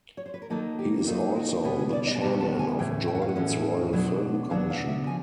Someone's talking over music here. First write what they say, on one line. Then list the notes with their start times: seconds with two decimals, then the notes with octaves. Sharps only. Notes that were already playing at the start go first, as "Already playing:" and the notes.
He is also the chairman of Jordan's Royal Film Commission.
0.17 C#5
0.26 C5
0.34 B4
0.42 A#4
0.50 D#3 F#3 A#3 D#4 A4
0.79 G4
1.07 D#3 F#3 A#3 D#4 F4
1.36 F#4
1.64 B2 G3 B3 F#4
1.79 G#4
1.93 D5
2.07 D#5
2.15 G#5
2.21 B2 G3 B3 A5
2.40 A5
2.59 G#5
2.79 A2 E3 G#3 C#4 G5
3.08 G5
3.15 F#5
3.22 F5
3.29 F#5
3.36 A2 E3 G#3 C#4
3.93 B2 F#3 B3 D4
4.50 B2 F#3 B3 D4 F5
4.70 F5
4.88 E5
5.07 F3 G#5